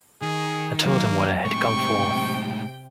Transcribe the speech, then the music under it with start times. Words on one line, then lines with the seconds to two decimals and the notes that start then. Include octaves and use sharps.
I told him what I had come for.
0.22 D#3 G#4
0.86 F#3 A#3
1.45 A2 C3 G#3 G5 C#6